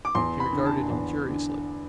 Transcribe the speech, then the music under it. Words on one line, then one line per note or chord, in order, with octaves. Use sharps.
She regarded him curiously.
D6
E2 C6
B5
D3
A5
E2
D3